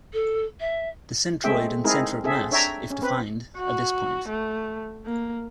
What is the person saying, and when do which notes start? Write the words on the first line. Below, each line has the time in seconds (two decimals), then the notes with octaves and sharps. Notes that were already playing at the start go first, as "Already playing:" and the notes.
The centroid and center of mass, if defined, are this point.
0.13 A4
0.60 E5
1.44 G#3 A3 C4 G#4 E5 G5
1.84 G#3 C4 D#4 E4 G#4 A#4
2.24 C4 G#4 A4 E5
2.51 D4 C#5 E5 G5 A#5
2.90 C#4
3.02 C4 B4
3.57 F#4
4.29 A3
5.06 A#3